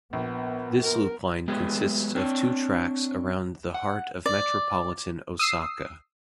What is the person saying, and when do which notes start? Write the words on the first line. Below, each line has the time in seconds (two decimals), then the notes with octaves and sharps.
This loop line consists of two tracks around the heart of metropolitan Osaka.
0.13 A#1 B3
0.82 A#4
1.48 F#3 G#3 A3 B3 G4 G#4
2.15 C4 D4 C#5
3.74 F#5
4.26 D5
5.39 D#6 E6 C7